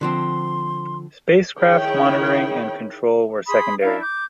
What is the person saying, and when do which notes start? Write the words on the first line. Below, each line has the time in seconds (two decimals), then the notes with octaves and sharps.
Spacecraft monitoring and control were secondary.
0.01 D3 F3 C4 C6
1.61 D#3 E4 G#4 C#5 G5 B5
3.47 G#4 B5 C6 D#6
3.82 D4 E4 A#4 F5
4.01 D6 G6